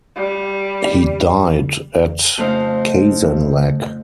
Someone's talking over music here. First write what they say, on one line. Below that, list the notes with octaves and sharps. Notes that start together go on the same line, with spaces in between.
He died at Kazanlak.
G3
F2 C#3 A3 D#4 C5 F5